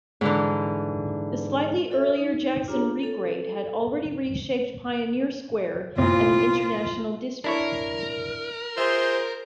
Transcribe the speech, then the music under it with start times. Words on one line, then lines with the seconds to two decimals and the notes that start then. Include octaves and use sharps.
The slightly earlier Jackson Regrade had already reshaped Pioneer Square and the International District.
0.21 G#2 D3 E3
1.90 F#4 A4 E5
2.17 D#4
2.68 D4 F4 G4 G#4 C#5 A#5
3.03 A4
5.98 C2 A#2 F4
7.44 D4 E4 A#4 C#5
8.78 F4 G#4 C5 E5